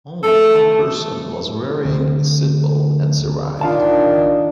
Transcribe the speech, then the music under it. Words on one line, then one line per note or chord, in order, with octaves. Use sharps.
Only one person was wearing a seatbelt and survived.
A3 A4
D2
D#3 D4 F4 F5 A5